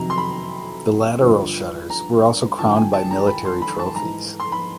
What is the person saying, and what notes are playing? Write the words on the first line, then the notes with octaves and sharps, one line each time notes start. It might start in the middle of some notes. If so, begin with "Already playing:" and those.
The lateral shutters were also crowned by military trophies.
Already playing: F2 C3 D#3 F#3 A#5
C6
B5
G2 D3 F3
A#5
G2 D3 F3 A5
G5
G#5
A5
A#5
B5
C6
B5
A5
G#2 E3 A#5
C6
B5